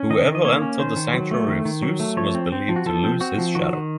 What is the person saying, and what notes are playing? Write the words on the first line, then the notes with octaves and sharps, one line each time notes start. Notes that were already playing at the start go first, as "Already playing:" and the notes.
Whoever entered the sanctuary of Zeus was believed to lose his shadow.
Already playing: C#4
D#3 D#5
D#3
D#5
A#3 C#5
C#4
D#3 C5
D#3
F#3
A3
D#3
D#3
F#3
A3
F3 C#5
C4
C4
F3
F#4
F3 A4
C4
C4 F#4
F3
D#3 F#4
D#3